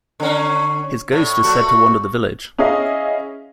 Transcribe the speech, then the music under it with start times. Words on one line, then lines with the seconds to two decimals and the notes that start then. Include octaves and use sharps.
His ghost is said to wander the village.
0.20 D3 C#4
1.12 A2
1.43 A3 F#4
2.58 C#4 E4 G#4 D#5 F5